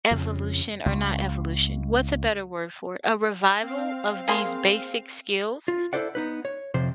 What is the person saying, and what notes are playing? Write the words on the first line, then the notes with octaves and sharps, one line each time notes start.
evolution or not evolution, what's a better word for it, a revival of these basic skills
F2 C#3
C#2
C4 F5
A#3 G#4 C6
F4
E4 A4 C5 D5 F#5
B3 D#4 B4
C#5
F2 C3 C5